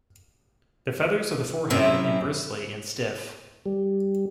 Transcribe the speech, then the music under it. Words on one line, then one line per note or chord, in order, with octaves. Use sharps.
The feathers of the forehead and bristly and stiff.
F#2 C3 C4 C#4 E4
G3